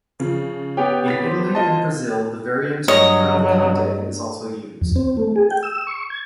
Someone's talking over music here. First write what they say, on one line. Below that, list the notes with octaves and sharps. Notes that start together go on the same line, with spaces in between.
In Italy and Brazil the variant Cavalcante is also used.
C#3 F3
B3 G4 C#5 G5
B4 A6 B6
C5
F4 D#5 A5
G2 F#3 C#5 D#5
F2
C4
A3
G#4
G5
E6
C#6
G#6